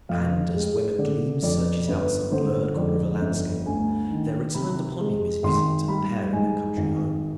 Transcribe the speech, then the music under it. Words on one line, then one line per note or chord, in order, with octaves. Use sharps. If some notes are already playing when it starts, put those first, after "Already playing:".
And as when a gleam searches out some blurred corner of a landscape, there returned upon him his visit to the pair in their country home.
F2 F5
G#3
D3 D5
F2 D5
G1 B4
D3 C5
F2 D5
G1
D2 G#5
D#3
C3 B5
G#3
G#1 C6
G3 B5
G#2 G#5
G#1